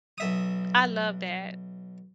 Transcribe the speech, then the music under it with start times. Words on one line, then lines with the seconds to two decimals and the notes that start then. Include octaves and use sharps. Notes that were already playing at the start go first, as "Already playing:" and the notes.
I love that.
0.18 B1 E5 D#6